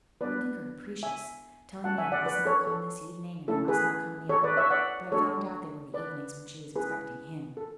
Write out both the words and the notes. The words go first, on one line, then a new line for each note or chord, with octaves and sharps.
I would think her capricious--telling me I must not come this evening, and I must not come the other; but I found out they were the evenings when she was expecting him.
G#3 B3 D4 F#4 B4 D5
E5 G#5
A3 C#4 F#4 F#5 A5
E5 G#5
D5 F#5
B4 D5
A4 C#5
A4
A3 C#4 E4 A4
G#4 B4
A4 C#5
B4 D5
C#5 E5
D5 F#5
A3 D4 F#4 A4 C#5
B4 D5
G#3 C#4 E4 G#4 B4
A4